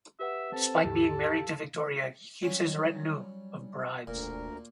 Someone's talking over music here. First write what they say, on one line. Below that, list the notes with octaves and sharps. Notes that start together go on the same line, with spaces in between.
Despite being married to Victoria he keeps his retinue of Brides.
G4 B4 E5 F#5
C4 A4
D#2 G#2 D3 G4
F5
F#3 G3 C#4
E1 D2 A#2 A#4